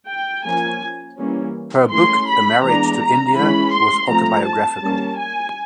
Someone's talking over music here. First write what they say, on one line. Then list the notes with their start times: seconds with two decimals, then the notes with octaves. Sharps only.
Her book "A Marriage to India" was autobiographical.
0.09 G5
0.45 F3 A#3 C#4 G#5
1.17 E3 G3 A#3 C#4
1.90 E3 A3 C#4 C6
2.28 B5
2.63 E3 G#3 B3 D4 A#5
3.36 E3 G#3 C#4 B5
3.72 C6
4.09 F3 A3 C4 A#5
4.45 A5
4.82 G3 A#3 C#4
5.18 G#5